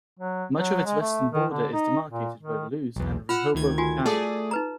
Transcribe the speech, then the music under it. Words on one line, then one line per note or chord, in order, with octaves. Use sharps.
Much of its western border is demarcated by the Lewes and Rehoboth Canal.
F#3
F#3
G#3
A3
D#3
D3
D#4
A#2
D#3
B1 E2
F4 F#5 E6 F6
D2 D#3 G#6
F4 F#4 G#5
A3 G#4 A4 D5 A5
D#4 B4 A#5